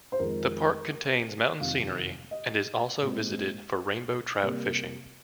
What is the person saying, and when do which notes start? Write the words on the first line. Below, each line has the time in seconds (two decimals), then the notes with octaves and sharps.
The park contains mountain scenery and is also visited for rainbow trout fishing.
0.12 C5
0.19 F2 D#3 G#3 C4 A#4
1.60 F2 C3 D#3 F5
2.31 D#5
3.02 A#2 G#3 C4
4.43 C3 G3 A#3